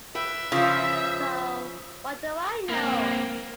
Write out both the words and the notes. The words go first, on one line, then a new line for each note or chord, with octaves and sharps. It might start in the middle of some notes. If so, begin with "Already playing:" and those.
So what do I know?
B4 E5 G5
C#3 F3 F4
A#3 C4